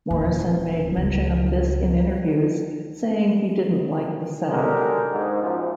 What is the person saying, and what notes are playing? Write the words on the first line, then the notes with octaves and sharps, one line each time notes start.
Morrison made mention of this in interviews, saying he didn't like the setup.
D#1
C#2
F#3 G#3 D4 G4 A4 A#4
G#2
F#2 A#2 F3